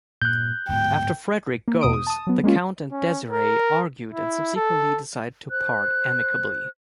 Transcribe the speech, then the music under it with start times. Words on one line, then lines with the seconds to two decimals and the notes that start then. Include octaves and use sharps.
After Fredrik goes, the Count and Desiree argue and subsequently decide to part amicably.
0.22 G2 A#2 F#6 G6
0.69 D1 G#2 B3 G5
1.68 A#3
1.81 E2 B2 D#6 D7
1.93 D#6
2.07 A5 D#6
2.27 F#3 B3
2.44 G#3 A#3 C#4 F4
2.91 C#4
3.30 A#4
4.13 E4
4.57 A4
5.50 C5 F#6